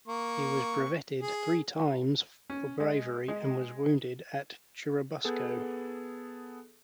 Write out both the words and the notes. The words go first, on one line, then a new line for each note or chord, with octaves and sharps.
He was brevetted three times for bravery and was wounded at Churubusco.
A#3 C#6
G#4
C#4
G#3
G#3
B3 G#4 A4